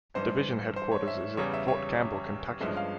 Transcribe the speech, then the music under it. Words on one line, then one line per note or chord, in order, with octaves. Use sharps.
Division headquarters is at Fort Campbell, Kentucky.
G#1 G2 E3 C5
C5
C#5
E5
E2 C#3 G3 C#4 C#5
E5
C#5
G1 G2 F3 G#3 C#4 E5
F5